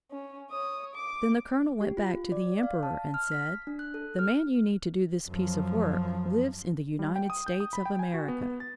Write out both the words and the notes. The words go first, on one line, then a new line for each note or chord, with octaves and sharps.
Then the colonel went back to the emperor and said: "The man you need to do this piece of work lives in the United States of America."
C#4
C#5 D#6
D6
G4
F4
D5
F5
A5
F6
B6
D4
F#6
A4
F6
F#2 F3
G3
G5
D#6
G6
D#6
B5
G5
G#5
F#4
B3
B3
A6